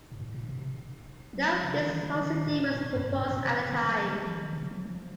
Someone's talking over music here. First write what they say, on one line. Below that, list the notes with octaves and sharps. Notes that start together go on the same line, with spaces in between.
No fixed host city was proposed at the time.
G#2
A2
A#2
B2
C3
F#3
F3
C#3
D#3
E3
D#3
D3
D#3
A2
A2
A#2
F#2
G2
G#2
A#2
B2
C#3
D3
F3
F#3
F#3
F3
E3
D#3
D3
C#3
F3
F#3
F3